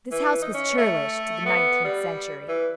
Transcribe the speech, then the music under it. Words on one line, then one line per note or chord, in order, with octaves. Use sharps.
This house was churlish to the nineteenth century.
E3
D#4
C#4
A3
B3
G3
E3